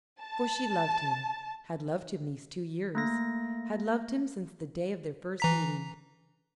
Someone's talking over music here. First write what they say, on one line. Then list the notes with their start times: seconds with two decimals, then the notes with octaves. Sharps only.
For she loved him, had loved him these two years, had loved him since the day of their first meeting.
0.20 A5
2.95 A3 A#3 A#6
5.40 E3 A#5 B6